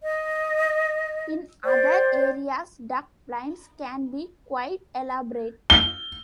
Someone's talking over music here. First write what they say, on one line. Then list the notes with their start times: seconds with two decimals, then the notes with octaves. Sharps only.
In other areas duck blinds can be quite elaborate.
0.03 D#5
1.64 C5 D5 G5
5.70 G7